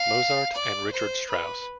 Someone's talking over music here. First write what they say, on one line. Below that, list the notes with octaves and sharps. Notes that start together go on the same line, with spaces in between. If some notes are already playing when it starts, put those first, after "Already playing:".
Mozart and Richard Strauss.
Already playing: F5
D5
C5
B4